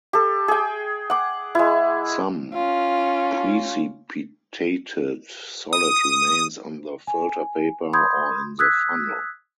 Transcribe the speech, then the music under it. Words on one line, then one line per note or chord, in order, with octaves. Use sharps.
Some precipitated solid remains on the filter paper or in the funnel.
G4 A4
G#4 G5
F#5 D6
G#3 E4
C#4 F4
D#6
G#5
B5 C6 D#6 G6 G#6
D#6 E6 F#6 G#6 B6